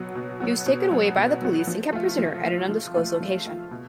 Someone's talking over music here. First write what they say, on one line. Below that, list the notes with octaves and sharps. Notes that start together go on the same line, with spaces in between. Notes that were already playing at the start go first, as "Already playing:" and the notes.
He was taken away by the police and kept prisoner at an undisclosed location.
Already playing: B2 F#3 B3 F#4
B2
F#3 B3 F#4
B2
F#3 B3 F#4
B2
F#3 B3 F#4
F3
A3 F4
F3
A3 F4
F3
A3 F4
F3
A3 F4
B2